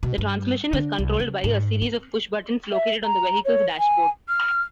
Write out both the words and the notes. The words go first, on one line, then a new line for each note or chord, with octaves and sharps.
The transmission was controlled by a series of pushbuttons located on the vehicle's dashboard.
B2
G2
D3
C2
C#3
G#2
C4
E5
A#5
C#5
G#5
F6